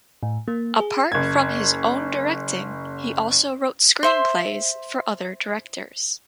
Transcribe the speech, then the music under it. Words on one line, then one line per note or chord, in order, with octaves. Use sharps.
Apart from his own directing, he also wrote screenplays for other directors.
A2
A#3
G#4
F#1 G#6
C5 E5 C6